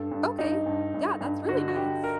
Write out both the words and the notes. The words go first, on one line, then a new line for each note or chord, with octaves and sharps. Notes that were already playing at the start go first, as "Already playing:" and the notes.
Okay. Yeah, that's really nice.
Already playing: G2 A4
G2
G2 D#4
G2
G2
G2
D3 F#4
F#4
D3 G4
A#4